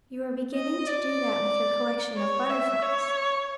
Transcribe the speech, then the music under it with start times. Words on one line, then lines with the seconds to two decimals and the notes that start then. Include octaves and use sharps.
You are beginning to do that with your collection of butterflies.
0.54 D#5
0.86 D5
2.17 C#5
2.50 E5
2.82 C#5